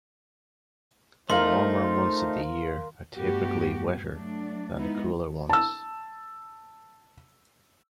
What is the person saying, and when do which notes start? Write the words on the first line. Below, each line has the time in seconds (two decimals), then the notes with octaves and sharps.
The warmer months of the year are typically wetter than the cooler ones.
1.30 A3 D#4 F4 A#4 C5 F5 C6
3.15 G2 A3 B3 F#4 G4
4.11 F#3 A3 D4
4.76 G#3 B3 D#4 E4
5.49 A5 E6